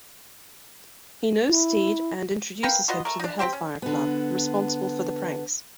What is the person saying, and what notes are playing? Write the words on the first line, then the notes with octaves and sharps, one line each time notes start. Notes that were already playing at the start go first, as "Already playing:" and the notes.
He knows Steed and introduces him to the Hellfire Club, responsible for the pranks.
E4
A#4 B4 F5 G5
F4 F#4 B4 D#5
A3 A#4
D4 D#4
C4 G4 C5 G5
C#4
D3 B3